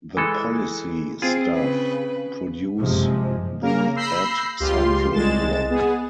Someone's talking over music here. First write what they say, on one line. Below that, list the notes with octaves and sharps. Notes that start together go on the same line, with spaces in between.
The policy staff produce the EdCentral blog.
E3 G#3 A4
C4 F4 G#4
C#3 B4
F#1 C3 F3 G#3
C#3 A#3 A#4
B5 E6 G6 A#6 C7
C#2 F4 G4 C6
C2 G#3 A6 E7
B3 G#4